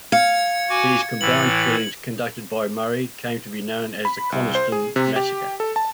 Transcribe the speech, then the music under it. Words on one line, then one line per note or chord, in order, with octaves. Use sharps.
These combined killings conducted by Murray came to be known as the Coniston massacre.
F5 G#6 C#7
F#4 G#5 D6
A2 E3 F#7
B5
C2
C5
G#4
C3
G4
A4
A5